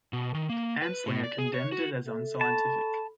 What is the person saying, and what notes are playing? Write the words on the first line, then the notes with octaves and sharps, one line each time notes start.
Anslinger condemned it as unscientific.
B2
D#3
A#3
B4
A2
D5
G#4
C#5
F#4
A4 E5
A4 A5 B5 C#6